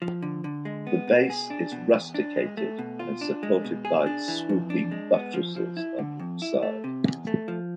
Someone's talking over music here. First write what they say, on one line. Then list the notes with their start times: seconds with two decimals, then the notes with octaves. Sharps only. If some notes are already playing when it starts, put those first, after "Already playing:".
The base is rusticated and is supported by "swooping buttresses" on each side.
0.02 F3
0.22 D3
0.44 D3
0.65 G#3
0.87 B3
1.08 B2
1.30 G#4
1.50 D4
1.72 B2
1.93 E2
2.14 D4
2.36 G#3
2.57 A3
2.79 B2
2.99 F4
3.21 D4
3.43 G#3
3.64 B2
3.85 G#4
4.06 D4
4.28 E3
4.49 F2
4.70 D4
4.91 G#3
5.14 B3
5.34 F3
5.56 F3
5.77 E4
5.99 D3
6.20 F2
6.42 E4
6.63 A3
6.84 C3
7.05 E2
7.27 A3
7.48 F3